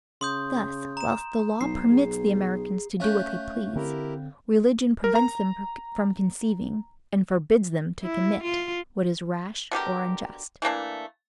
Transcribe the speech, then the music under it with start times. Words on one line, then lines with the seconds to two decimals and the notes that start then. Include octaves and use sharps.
Thus whilst the law permits the Americans to do what they please, religion prevents them from conceiving, and forbids them to commit, what is rash or unjust.
0.21 C#3 C6 D#6 G6
0.97 A#5 E7
1.61 B1 D#4 C7
1.91 G#4
3.00 A3 C#4 F5 F#6 G6
3.76 D3 C4 E4 G4 A#4
5.04 A#4
5.15 A#5
8.03 E4
8.43 F4
9.71 B2 D3 G4 A#4
10.62 E3 A3 A#3 D4